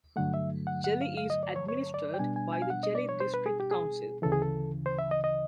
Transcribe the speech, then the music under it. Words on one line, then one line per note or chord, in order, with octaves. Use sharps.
Jeli is administered by the Jeli District Council.
G2 D3 F#3 A3 F#5
E5
F#5
F#5
F5
F5
D#5
D5
C#5
C#5
D5
G5
B2 G3 B3 D4 G#5
G#5
G#5
F5
F#5
D#5
D5
C#5
C5
B4
G#4
G4
G#4
D2 C#3 E3 A4
G#4
A4
C5
E5
D#5
D#5